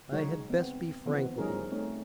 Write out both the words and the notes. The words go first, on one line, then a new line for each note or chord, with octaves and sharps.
I had best be frank with you.
C#3 F#3 G#3 D#4 F#4 C#5
B3 C4
D#3 F3 B3 C4 B4
F3 G3 C#4 D#4 G#4 A#4
A3 C4 C#4 D#4